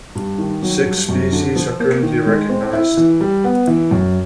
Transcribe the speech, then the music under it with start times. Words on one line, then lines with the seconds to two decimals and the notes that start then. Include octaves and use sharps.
Six species are currently recognized.
0.15 G2
0.38 D#3
0.62 F#3
0.86 G2
1.09 F#2
1.32 D3
1.56 F3
1.79 A#3
2.02 D#3
2.26 G#3
2.49 C4
2.73 E4
2.97 E3
3.21 G3
3.44 B3
3.67 E3
3.91 F#2